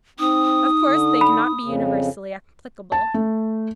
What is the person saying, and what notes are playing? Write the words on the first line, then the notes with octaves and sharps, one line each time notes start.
Of course, they cannot be universally applicable.
C4 D#4 D#6
D3
B5
F2 C#3
A5
A3